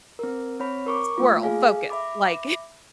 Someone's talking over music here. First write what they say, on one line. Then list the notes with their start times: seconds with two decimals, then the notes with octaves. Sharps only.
squirrel, focus, like
0.19 C4 A#4
0.60 C4 C#5 B5
0.86 A#4 C#6 D6
1.18 A3 A#3 F4
1.43 G#4 A4 F5 G#5
1.90 E5 B5 D6